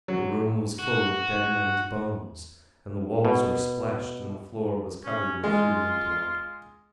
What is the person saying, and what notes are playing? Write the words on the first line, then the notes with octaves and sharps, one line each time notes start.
The room was full of dead men's bones and the walls were splashed and the floor was covered with human blood.
F#3
F#4
B2
C#4
G#3 F4